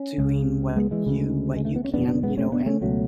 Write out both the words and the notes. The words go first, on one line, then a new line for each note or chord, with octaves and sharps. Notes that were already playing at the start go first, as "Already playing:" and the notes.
doing what you what you can, you know, and
Already playing: C#4
C#2 C#3
G#3 B3
E3 G#3
D2 C#3
G#3
A3
B3
C#4
F#1 E2 B2 B3 D4
B3 D4
G#3 B3
A3 C#4
B3 D4
A3 C#4
C#2 B2 F#3 A3